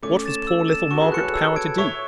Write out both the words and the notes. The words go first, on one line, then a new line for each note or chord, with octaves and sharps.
What was poor little Margaret Power to do?
A3 C#4 D6
A6 E7
E6
A6 E7
F#4 A4 C#6
G#4 B4
G#4 B4 F#6 C#7
A4 C#5
A4 C#5 E6
G#6 D7
C#5 E5 C#6